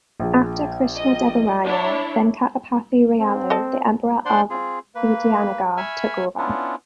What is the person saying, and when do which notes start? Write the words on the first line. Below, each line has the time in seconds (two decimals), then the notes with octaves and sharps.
After Krishna Deva Raya, Venkatapathi Rayalu, the Emperor of Vijayanagar, took over.
0.20 A#1 G#4
0.95 D#5
1.65 D4 E4 C#5 D5
3.19 C4
3.50 A4 D#5 A5
4.25 D4 C5 D5 F#5 C6
4.50 C4 F4 G#4
4.95 A#3 B4
5.77 E5 G#5 B5 C#6 E6 F6
6.38 B3 C#4 D4 E4 F4